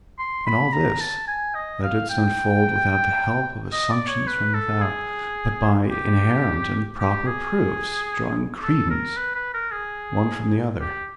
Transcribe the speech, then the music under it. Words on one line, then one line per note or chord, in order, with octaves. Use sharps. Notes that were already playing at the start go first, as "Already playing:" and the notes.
And all this thou didst unfold without the help of assumptions from without, but by inherent and proper proofs, drawing credence one from the other.'
C6
B5
A#5
A5
G#5
D#5
F5
G5
D#5
D5
C#5
B4
A4
G#4
G4
G4
G#4
A4
A#4
B4
B4
A#4
G#4
G4